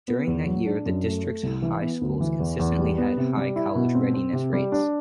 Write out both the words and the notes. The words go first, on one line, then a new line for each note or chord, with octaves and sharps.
During that year the district's high schools consistently had high college readiness rates.
B3
E2
F#3
D4
F#2
A3
A3
C2
E3
B3
D2
E3
E2
E2
G3
B3
C3
G3
E4
B2
C4
C4
C3
G3
D4